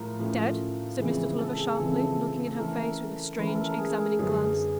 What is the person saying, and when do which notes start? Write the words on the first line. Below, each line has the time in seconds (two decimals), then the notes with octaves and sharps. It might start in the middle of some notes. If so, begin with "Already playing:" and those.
"Dead?" said Mr. Tulliver, sharply, looking in her face with a strange, examining glance.
Already playing: A2 F3 A3 F4 A#4
0.19 A2 F3 A3 C#4 F4
0.99 F2 C#3 E3 G#3 C4
1.38 A4
1.55 G#4 A4
1.79 F2 C#3 E3 G#3 C4 A4
2.47 A4
2.58 E3 A3 C#4 A#4
3.38 E3 A3 C#4 B4
3.47 A#4
3.55 A4
3.65 A#4
3.78 G#4
4.19 F#2 D3 G3 B3 G#4